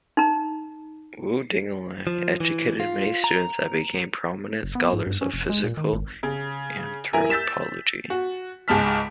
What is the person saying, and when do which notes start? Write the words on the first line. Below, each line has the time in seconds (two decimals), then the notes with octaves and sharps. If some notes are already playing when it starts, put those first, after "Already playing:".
Wu Dingliang educated many students that became prominent scholars of physical anthropology.
0.17 D#4 A#5
2.07 F3
2.40 E3
2.80 F4
3.24 A#5
4.63 F#1
4.75 B3
4.93 G#2
5.07 G2
5.21 C#4
5.34 F1
5.49 G#3
5.64 A#2
5.77 D#3
5.93 G#1
6.23 C#3
7.13 E4 A#4 G#5
7.30 E6 G6 A6 B6 E7
8.10 F#4
8.68 C#2 G#2 G#3 A5 F6 B6